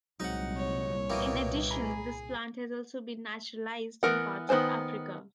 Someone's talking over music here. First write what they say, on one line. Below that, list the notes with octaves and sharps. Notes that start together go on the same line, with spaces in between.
In addition, this plant has also been naturalized in parts of Africa.
C2 A#2 F#3 G#3 C4 D#4 F#5
C#5
B2 E3 A#3 G5 D#6
G#4 G#5 A#5 B5
E3 B3 A#4 F#5
D#3 B3 D4 C5 G#5